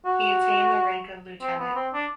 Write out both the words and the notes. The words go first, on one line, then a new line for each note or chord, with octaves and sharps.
He attained the rank of Lieutenant.
F#4
C4
B3
C4
D4